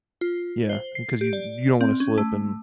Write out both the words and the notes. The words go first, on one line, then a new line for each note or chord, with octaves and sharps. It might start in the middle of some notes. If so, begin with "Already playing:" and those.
Yeah, because you you don't wanna slip and
F4
C5
C7
G4
D5
C4
C#4
A3